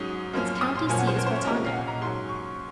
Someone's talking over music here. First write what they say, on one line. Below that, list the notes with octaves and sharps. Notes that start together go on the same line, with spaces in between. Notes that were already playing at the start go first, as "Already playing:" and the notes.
Its county seat is Watonga.
Already playing: G#2 F#3 C#4 D#6
F#2 F3 A#3 C#4
D#6
C6
F#2 F3 A#3 C#4 G#5
F#5
C5
A#4
C5
C#5
C3 F3 A#3 C#4 D#5
F5
F#5
A#5
G#2 F#3 C#4 C6
C#6